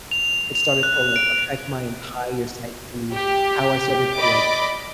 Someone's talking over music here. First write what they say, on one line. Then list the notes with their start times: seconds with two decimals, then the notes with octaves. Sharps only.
it started to, like, affect my entire psyche, how I started to, like,
0.11 F7
0.55 F7
0.83 F#6
1.16 D7
3.12 G4
4.17 D5 D#5 B5 D6